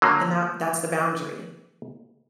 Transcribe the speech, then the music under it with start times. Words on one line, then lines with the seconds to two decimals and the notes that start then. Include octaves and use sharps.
and that that's the boundary.
0.02 D3 F#3 A#3